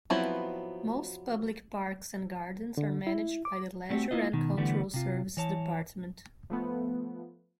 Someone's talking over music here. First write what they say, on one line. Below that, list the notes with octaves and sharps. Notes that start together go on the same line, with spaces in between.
Most public parks and gardens are managed by the Leisure and Cultural Services Department.
F3 F#3 B3 C4 E4
D3
E4
D6
G3 A3 C4 F#4 G4
A#3 E4 F4 D#5
B2 D#3
D3 E3 G3 A3 B3
C3 F4
E3 C#5 A5
F3 A3 B3